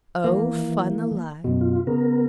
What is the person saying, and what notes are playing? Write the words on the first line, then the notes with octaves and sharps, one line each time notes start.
Oh, fun alive!
E3 A#3
F#2 B2
F4
C#3 B3 A#4